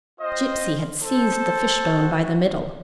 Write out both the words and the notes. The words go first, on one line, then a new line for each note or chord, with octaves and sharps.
Gipsy had seized the fishbone by the middle.
C4 F4 C5 D#5
A4 C5
C4 F#4